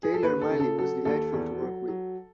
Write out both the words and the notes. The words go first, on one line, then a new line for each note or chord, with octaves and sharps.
Taylor Mali was delightful to work with.
G#4
A4
D#2 B4
A4
C#3
A4
F#3 A4
D#2 A4
E2
F#3
F#3